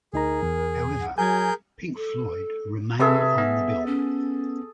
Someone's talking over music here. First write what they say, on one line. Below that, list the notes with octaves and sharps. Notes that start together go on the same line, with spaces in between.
However, Pink Floyd remained on the bill.
D2 D#4 G#4 A#4 A#5
E2
F#5
F#3 G#4 A#4 G#5 G6 G#6
A4
C3 G#4 A4 B4 E5 E6
B3
C#4